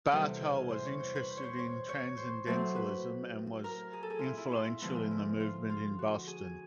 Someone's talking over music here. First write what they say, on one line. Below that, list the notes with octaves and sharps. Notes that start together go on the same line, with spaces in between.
Bartol was interested in Transcendentalism and was influential in the movement in Boston.
E2 C3 E3 G3 B3 A4
G#4
C5
C#5
C5
B4
C5
C#5
C5
C#5
C#5
C5
A2 F#3 A3 C5
B4
A#4
G#4
A4
G#4
E4 F4
E4
F4
E4
D3 F3 G#3 B3 E4
E4
F4
F4
F#4
G#4